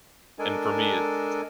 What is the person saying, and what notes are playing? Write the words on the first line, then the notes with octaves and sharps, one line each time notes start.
And for me, it's
G#3 D4 A4 A#4 G#5